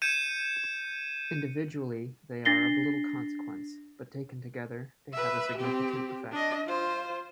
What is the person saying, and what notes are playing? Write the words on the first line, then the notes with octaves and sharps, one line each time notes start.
Individually, they are of little consequence, but taken together they have a significant effect.
G6 G#6 C#7 D#7 E7
D4 A6 A#6 C7 G7
B4 E5
C4 G4
D4 D#5
F4 C5